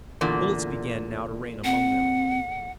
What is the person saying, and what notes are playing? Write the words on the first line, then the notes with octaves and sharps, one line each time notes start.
Bullets began now to rain among them.
E2 A#2 D3
C4 F#5